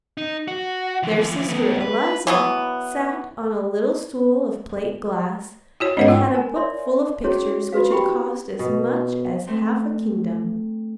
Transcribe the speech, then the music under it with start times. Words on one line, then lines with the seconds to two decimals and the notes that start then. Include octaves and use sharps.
Their sister Eliza sat on a little stool of plate glass, and had a book full of pictures which had cost as much as half a kingdom.
0.17 D#4
0.48 F#4
1.03 E3 F3
1.49 A3 B3
1.81 B4
2.27 E3 F#3 B3
5.80 E4 F#4 C#5
5.97 G#2 C#4 C#5 D#5 F#5
6.08 F4 G5 E6
6.34 A#4 G#5 A#5
6.56 C#5 D5 E5 C6
7.24 C#4 E4 F#4 G#4 C#5
7.73 F4 F#4 B4 F5
7.91 E4 G4 G5 B5
8.59 B2
9.47 A3 C4